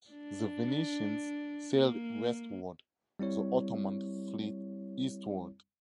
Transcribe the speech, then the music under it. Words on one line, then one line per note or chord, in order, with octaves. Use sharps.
The Venetians sailed westward, the Ottoman fleet eastward.
D4
A#3
G3 C4 E4 C#5